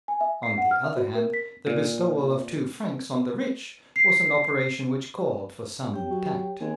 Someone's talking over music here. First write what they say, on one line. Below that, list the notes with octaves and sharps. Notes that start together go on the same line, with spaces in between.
On the other hand, the bestowal of two francs on the rich was an operation which called for some tact.
G#5
E5
C7
F#5
F6
E5
F#4
A#4
B6
A#2
C7
G4 C#5 G5
F#3
D#2 C4 G#4 G#5